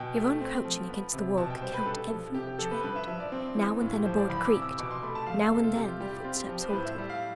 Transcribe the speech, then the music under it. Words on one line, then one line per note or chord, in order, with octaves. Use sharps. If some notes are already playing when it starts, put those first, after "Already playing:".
Yvonne crouching against the wall could count every tread--now and then a board creaked--now and then the footsteps halted.
Already playing: B2 G5
A3
C4
F3
B3
C3
B2 A5
G5
G3 C5
B4
G2 A4
F3
C3 G4
G4
F3 A4
B4
G2 B4
E5
F3 E5
D5
C4
E3
A2 F4
G4
F3 C5
D5
E2 B5
E6
D6
C3
E6
B2 D6
C6
A3 B5
A5
F2 F5
F5
C3 A4
F4
C3 G4
F4
G3 G4
G4
C4 F4
G4
F3 G4
C5
B4
A2 C5
E5
G3
F5